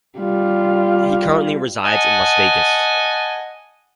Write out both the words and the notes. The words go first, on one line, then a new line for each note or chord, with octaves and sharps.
He currently resides in Las Vegas.
G3 F4
D#5 F#5 G#5 A5